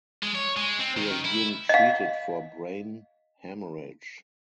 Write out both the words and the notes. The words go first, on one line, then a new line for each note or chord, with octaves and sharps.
He was being treated for brain haemorrhage.
G#3
C#5
G#3
C4
D#3
E4
D#5 F5